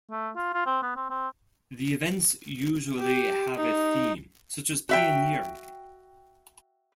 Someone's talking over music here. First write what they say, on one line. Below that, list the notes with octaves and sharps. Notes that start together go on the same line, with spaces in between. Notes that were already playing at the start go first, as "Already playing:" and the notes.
The events usually have a theme, such as pioneering.
A3
F4
F4
C4
B3
C4
C4
G4
D#4
F#4 E5 G5